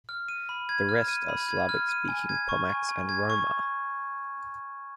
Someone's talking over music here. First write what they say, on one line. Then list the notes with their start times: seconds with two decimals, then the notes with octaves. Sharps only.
The rest are Slavic speaking Pomaks and Roma.
0.09 F6
0.28 D#7
0.49 B5
0.69 G#6
0.89 F6
1.08 D#7
1.29 B5
1.48 G#6
1.69 F6
1.89 D#7
2.09 G#5
2.29 G#6
2.49 C#6
2.70 G#5
2.89 G#5
3.09 G#6
3.30 C#6